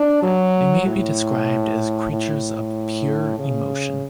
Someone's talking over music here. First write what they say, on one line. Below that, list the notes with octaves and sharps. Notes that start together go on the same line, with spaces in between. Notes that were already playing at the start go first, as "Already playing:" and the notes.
They may be described as creatures of pure emotion.
Already playing: D4
F#3
A2
A2
C#3